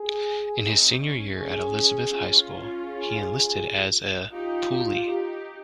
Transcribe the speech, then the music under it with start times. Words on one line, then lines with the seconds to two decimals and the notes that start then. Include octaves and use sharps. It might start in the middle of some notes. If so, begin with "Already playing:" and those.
In his senior year at Elizabeth High School, he enlisted as a "poolee".
Already playing: G#4
0.61 C4 D#4
0.98 C#4
1.35 C#4 G#4
1.72 C#4
2.09 C#4 F4
2.83 G#4
4.32 D#4 F4 G4
5.06 D#4 G4